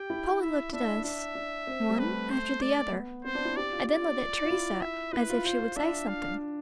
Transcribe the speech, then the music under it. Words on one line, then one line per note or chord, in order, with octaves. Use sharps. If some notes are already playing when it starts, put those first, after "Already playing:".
Paula looked at us, one after the other, and then looked at Teresa as if she would say something.
Already playing: G4 G5
E4
E5
D4 E5
D4 E5
D4
C4
G3
A3 B4
C5
A3 D5
B3
C4 C5
D4
E4
G4 D5
F4
D5
F4
E4
E5
E4 B4
F4
F4 C5
F4
D4 E5
F5